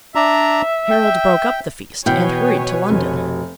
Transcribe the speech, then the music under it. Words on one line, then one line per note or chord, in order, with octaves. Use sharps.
Harold broke up the feast and hurried to London.
D4 D5 E5 A#5
G5
B2 E3 B4 C#5 G5 G#5 G6
F1